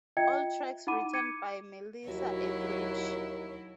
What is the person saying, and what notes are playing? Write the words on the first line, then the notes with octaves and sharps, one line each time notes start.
All tracks written by Melissa Etheridge.
F4 D#5 E5 G5 G#6 C#7
D#4 E4 F#5 B5 D6 D#7
D6 G#6 C#7 D#7
D#2 F#3 E4 F#4